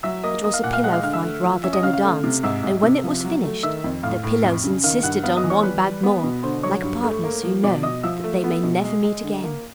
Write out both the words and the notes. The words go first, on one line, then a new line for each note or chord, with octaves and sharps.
It was a pillow fight rather than a dance, and when it was finished, the pillows insisted on one bout more, like partners who know that they may never meet again.
F#3 E5 E6
A#3 D#5 D#6
A#3 D#5 D#6
F5 F6
A#2 F#5 F#6
F5 F6
G#3 F#5 F#6
F5 F6
D3 F5 F6
E5 E6
A3
F3
C#4 E5 E6
D#5 D#6
C#3 F5 F6
F5 F6
A3
C3
G#2 E5 E6
G#2
C3
F3
F#3
A3
D#3 E5 E6
F2
A2 F5 F6
A2
F2
C#3
D#3 F5 F6
G2 F#5 F#6
B3 F5 F6
D#5 D#6
E3
C#5 C#6
G3 B4 B5
G3
B3
B2
D3 C5 C6
F#3 C#5 C#6
G2
A3
A#3
F3
B2 D5 D6
B2 D#5 D#6
F3 E5 E6
A3
B3
B2
G#3
G#3
D3
A#3